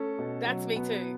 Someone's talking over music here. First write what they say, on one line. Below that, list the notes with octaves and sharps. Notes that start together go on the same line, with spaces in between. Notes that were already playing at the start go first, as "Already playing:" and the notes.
That's me too.
Already playing: A3 C#4 A4
B2
F#3
B3